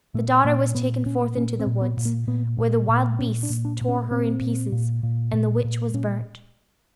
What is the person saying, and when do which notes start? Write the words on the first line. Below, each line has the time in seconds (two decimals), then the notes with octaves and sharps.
The daughter was taken forth into the woods, where the wild beasts tore her in pieces, and the witch was burnt.
0.14 A#2 A3
0.45 A#2 A#3
0.75 A#2 B3
1.06 A#2 C#4
1.36 A#2 C#4
1.60 C4
1.66 A#2
1.82 B3
1.97 A#2
2.06 A#3
2.27 A#2 B3
2.58 A#2
2.89 A#2
3.19 A#2 C#4
3.43 D4
3.50 A#2
3.65 D4
3.81 A#2
3.88 C#4
4.11 A#2 C4
4.41 A#2
4.72 A#2
5.03 A#2
5.33 A#2
5.64 A#2
5.94 A#2 C#4